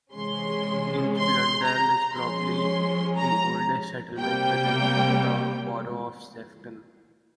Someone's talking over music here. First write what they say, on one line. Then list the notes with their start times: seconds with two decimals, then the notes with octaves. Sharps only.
Ince Blundell is probably the oldest settlement within the borough of Sefton.
0.13 C3 E3 G#3 C#4 C6
1.15 C6
1.65 A#5
2.16 F3 G#3 C#4 C6
3.16 A#5
4.18 C3 G3 A#3 G5